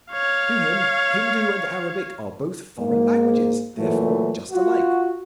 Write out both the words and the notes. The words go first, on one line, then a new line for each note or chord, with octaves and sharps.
To him Hindu and Arabic are both foreign languages, therefore just alike.
C#5 F5
G#2 A#3
A#2 E3 F#3 A3
F4 F#4